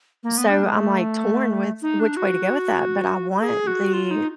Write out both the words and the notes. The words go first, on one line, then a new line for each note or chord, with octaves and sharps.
so, I'm, like, torn with which way to go with that, but I want the
A#3
B3
D4
G#3
A3
D#4
D4
F#4
A4
G#4
F#4
F4
D#4